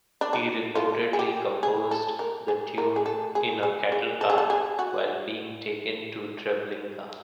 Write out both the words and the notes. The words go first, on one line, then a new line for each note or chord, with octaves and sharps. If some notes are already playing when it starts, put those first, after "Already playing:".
He reportedly composed the tune in a cattle car while being taken to Treblinka.
D4
D#4
F4
G#4
G4
G#4
A4
A#4
G#4
A#4
G#4
A4
G#4
G#4
G#4
A4
G#4
A4
G#4
F#4